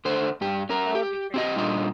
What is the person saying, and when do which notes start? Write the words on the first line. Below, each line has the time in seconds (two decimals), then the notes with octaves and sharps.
That would be crazy.
0.05 D3 A3 C5
0.41 G2 G4
0.69 C#4 A#4
0.95 G4
1.34 C4 G4 D#5
1.56 A#2 G3 D4 F4 D#5